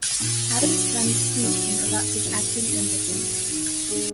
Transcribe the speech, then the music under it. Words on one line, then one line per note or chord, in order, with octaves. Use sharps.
Adams' friends teased him about his acting ambitions.
A#2
F#3 D4
A#2
F#3 D4
G#2
F#3 A#3
G#2
F#3 A#3
D#3
G#3 D4